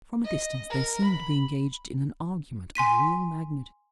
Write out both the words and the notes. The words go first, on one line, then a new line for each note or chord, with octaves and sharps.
From a distance they seemed to be engaged in an argument of real magnitude.
D#5
A#4
B5
G#5 C6 B6 D#7